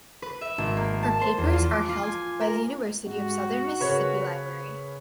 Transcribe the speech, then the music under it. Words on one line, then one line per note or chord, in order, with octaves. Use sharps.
Her papers are held by the University of Southern Mississippi library.
B4
E5
G#1
A#3
A5
C5
E2
F4
D6
F4
G#5
A#4
G#2 F#4 G4
C#3 A#4 B4 C#5